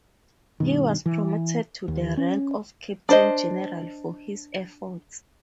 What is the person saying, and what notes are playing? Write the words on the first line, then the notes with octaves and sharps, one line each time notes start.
He was promoted to the rank of captain general for his efforts.
G2 B2 D#3
E3
D#2
C#4
D4 C5 D#5